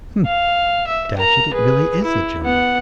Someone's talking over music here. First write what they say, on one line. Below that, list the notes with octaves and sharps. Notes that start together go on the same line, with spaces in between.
Hm, dash it, it really is a general!
F5
E5
A#4 A#5
G#4 B4
E4
B3 F#5